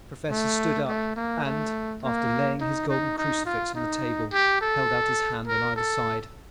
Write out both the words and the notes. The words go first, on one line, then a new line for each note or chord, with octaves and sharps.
The Professor stood up and, after laying his golden crucifix on the table, held out his hand on either side.
A3
A3
A#3
A3
A#3
D#4
D#4
D#4
F4
D#4
G4
A4
A#4
A4